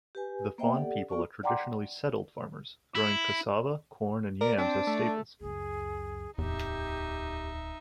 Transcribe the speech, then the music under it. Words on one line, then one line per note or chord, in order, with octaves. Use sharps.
The Fon people are traditionally settled farmers, growing cassava, corn and yams as staples.
G4 B4 G#5
A#3 B3 C5 D#5 E5 G5
G4 A4 D5 F#5
B3 F4 F#4 D5 C#6
D5 F#5 G5 A#5 C6 D6
E4
A#4 D5
C4 D4
A3
C#2 F#2 G#4
D1 E2 D#4 G4 E5